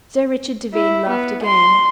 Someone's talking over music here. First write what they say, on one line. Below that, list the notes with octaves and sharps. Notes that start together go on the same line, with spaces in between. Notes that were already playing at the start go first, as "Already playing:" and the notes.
Sir Richard Devine laughed again.
E4
B3
C6